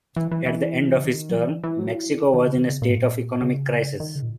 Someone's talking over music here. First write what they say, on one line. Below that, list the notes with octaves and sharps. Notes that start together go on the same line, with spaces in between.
At the end of his term, Mexico was in a state of economic crisis.
E3
E3
E3
C#3
D#3
F#3
E3
E3
F#3
E3
C#3
D#3
C#3
D#3
C#3
A#2
G#2
A#2
C#3
D#3
C#3
A#2